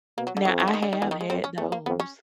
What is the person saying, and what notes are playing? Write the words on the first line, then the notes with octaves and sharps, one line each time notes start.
Now I have had those.
B2 A#3
F#3
D3
F2 D#3
E3
D3
D#3
D3
D#3
E2 D3
D#3
G#3
F2 C4
C#4
E2 A3
A#3
F2 B3
C#4